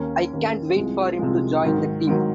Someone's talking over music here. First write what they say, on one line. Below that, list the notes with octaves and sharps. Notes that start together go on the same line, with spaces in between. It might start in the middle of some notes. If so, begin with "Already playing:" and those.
I can't wait for him to join the team.
Already playing: D#2 D#3 A#3 C#4
D#2 D#3 A#3 C#4
C2 C3 F3 G#3
C2 C3 F3 G#3
G#2 D#3 F#3
G#2 D#3 F#3